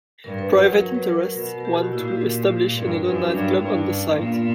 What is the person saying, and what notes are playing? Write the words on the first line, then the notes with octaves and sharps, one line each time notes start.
Private interests want to establish another night club on the site.
G2 A#4
B4
F#3 B4
A#4
F#3 A#4
B4
A#4
A#4
B2 A#4
A#4
G4
F#4
F#4
A#2 E4
G4
A#4
G4
G2 A#4
A#4
F#2 B4
D4
G2 D4
E4
G2 D4
C#4
A#2 A#3
B3